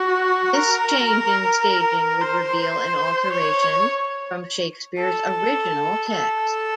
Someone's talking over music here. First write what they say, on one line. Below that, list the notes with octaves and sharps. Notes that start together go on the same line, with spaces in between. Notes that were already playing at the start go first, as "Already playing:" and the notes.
This change in staging would reveal an alteration from Shakespeare's original text.
Already playing: F#4
A#4
C5
C#5
A4
A4